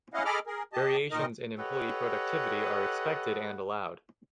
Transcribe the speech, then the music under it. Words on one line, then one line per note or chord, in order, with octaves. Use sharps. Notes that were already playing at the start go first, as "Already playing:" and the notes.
Variations in employee productivity are expected and allowed.
C#4 E4 D#5 F5 F#5
G#4 A4 D#5 B5 D6 F6
G#4 A#4
G4 D#5 A5
A#2 D#3 D#4 A#4 D#5
G4 A4 B4 C#5 D#5 F#5